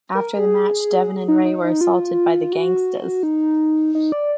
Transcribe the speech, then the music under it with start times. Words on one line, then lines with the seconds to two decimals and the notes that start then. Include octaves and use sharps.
After the match Devon and Ray were assaulted by the Gangstas.
0.15 A#4
0.39 G#4
1.28 D#4
1.45 D#4
1.64 D#4
1.81 F4
2.53 F#4
3.23 D#4
3.95 D#4
4.12 D5